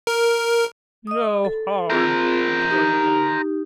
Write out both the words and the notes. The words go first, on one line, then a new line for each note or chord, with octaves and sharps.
"No harm?" retorted Diamond.
A#4
D#5 D#6
A4
C4 F4 G#4 A#4 C5
D#4 G4